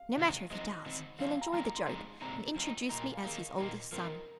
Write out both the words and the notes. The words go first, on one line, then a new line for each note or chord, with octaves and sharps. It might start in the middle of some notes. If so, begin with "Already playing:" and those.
No matter if he does, he'll enjoy the joke and introduce me as his oldest son.
Already playing: F5
C3 D#3 G#3 C4 D#4
F3 G#3 C4 D#4 D#5
D#3 C4 D#4
F3 C4 D#4 F5
G#5
A#5
F3 A#3 D#4 A#5
A#5
C6
F3 G#3 C4 D#4
A#2 G#3 C4 D#4 A#5
F3 C4 D#4
A#2 A#3 D#4 A#5
G#5
F5
D#3 A#3 D#4 G#4
A#2 A#3 D#4
F3 C4 D#4 A#4